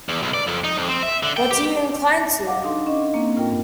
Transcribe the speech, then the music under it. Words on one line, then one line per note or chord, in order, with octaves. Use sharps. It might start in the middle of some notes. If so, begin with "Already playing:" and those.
What do you incline to?
E2
B1
D5
F2
D#4
F2
C4
E5
D3
G5
G4
D#5 F5 F#5 D6
D4 D#4 A4 F5 C6
C#4 D4 D#5
A#3 C4
A2 F4 A#4 G5
G2